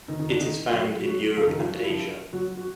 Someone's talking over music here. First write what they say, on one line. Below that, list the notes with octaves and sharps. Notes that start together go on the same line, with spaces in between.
It is found in Europe and Asia.
D#3 D#4
D#3 D#4
D3 D4
D#3 D#4
F4
F#3 F#4
F#3 F#4
F3 F4
D#3 D#4
F3 F4
F#4
F4
E4
F3 F4
F#3 F#4
F#4